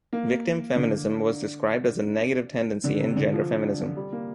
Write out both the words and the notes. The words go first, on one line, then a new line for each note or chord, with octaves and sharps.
Victim feminism was described as a negative tendency in gender feminism.
A#3
D3
D3
C3
D3
F3
G3
A#3